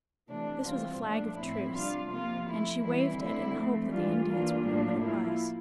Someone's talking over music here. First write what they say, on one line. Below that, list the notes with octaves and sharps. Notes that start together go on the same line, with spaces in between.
This was a flag of truce, and she waved it, in the hope that the Indians would know what it was.
C3 E3 A3 D4
C3 E3 G3 C4 F4
A#2 F3 A3 D4
A2 F3 C4 E4
C3 G3 D4 F4
C3 F3 A#3 F4
F3 A3 E4
E3 G3 C4 E4
D3 A3 C4 E4
F3 A3 C4
E3 G3 D4 F4
E3 A#3 D4 F4
A2 F3 A#3 D4
F3 A#3 E4